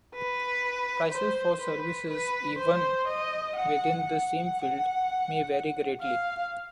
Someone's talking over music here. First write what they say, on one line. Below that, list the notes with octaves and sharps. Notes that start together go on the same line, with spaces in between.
Prices for services, even within the same field, may vary greatly.
B4
C5
B4
B4
C5
D#5
F#5
F#5
F5